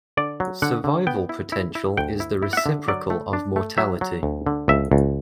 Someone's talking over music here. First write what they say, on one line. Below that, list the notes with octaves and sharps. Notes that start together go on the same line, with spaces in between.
Survival potential is the reciprocal of mortality.
D3 D5
F#3
D3 F#5
D3
B3 G5
E4
E4
E4
D2 G5
E4
E4
F#5
E5
D3
F#3 D5
A3
D4
A3
F#3 E5
F#3
D2
D3
C#2 E5
C#2